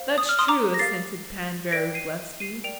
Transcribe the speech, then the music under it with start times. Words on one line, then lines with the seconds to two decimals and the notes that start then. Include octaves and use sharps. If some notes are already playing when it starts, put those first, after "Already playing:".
"That's true," assented Pan Vrublevsky.
Already playing: C5 F5
0.18 D#6
0.29 F6
0.39 C6 D#6
0.48 A#5 D6
0.74 A#6
0.79 G4 A#4 F5 A6 C7
1.71 A#4 D5 G5 A#6 D7
1.94 C7 D#7
2.40 C7 D#7
2.64 A#4 D5 G5 D7 F7